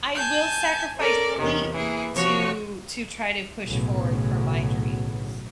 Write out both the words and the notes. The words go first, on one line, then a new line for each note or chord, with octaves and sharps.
I will sacrifice sleep to to try to push forward for my dreams.
G#5 A5 G6
C#4 A4 A#4 D5
E2 C3 D#3 B3 C#4
E3 A#3 G#4
C3 F3 F#4 C#5 C#6
B1 A2 C#3 F#3 B3